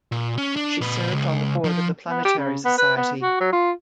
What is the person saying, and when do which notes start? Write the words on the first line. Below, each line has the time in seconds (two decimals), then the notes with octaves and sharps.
She served on the board of The Planetary Society.
0.12 A#2
0.38 C#4
0.56 D4
0.81 A#2 B4
1.13 C#2
1.64 F3
2.10 B3
2.25 G4
2.38 C#3
2.65 B3
2.78 B4
2.97 B3
3.22 F#4
3.40 F#3
3.53 F4